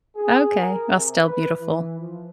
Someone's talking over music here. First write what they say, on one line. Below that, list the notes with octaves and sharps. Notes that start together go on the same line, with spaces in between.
Okay. Well, still beautiful.
G#4
A#4
C3
B4
E3
F3